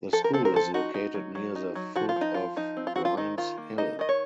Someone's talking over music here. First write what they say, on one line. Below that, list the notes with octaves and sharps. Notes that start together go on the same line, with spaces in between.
The school is located near the foot of Grymes Hill.
F3 A4
A#4
C4 A4
A#4
F3 A4
D#4 F#4
D#4
F#3
F#3
D#4
F#3
F3 F#4
F4
F3
D#4
F3 F4
F3 D#4
C4
F4
C4 F#4
F4
D#3 D#4
D#3 F4
A#3
D#4 D#5
D#3 D#5
C#5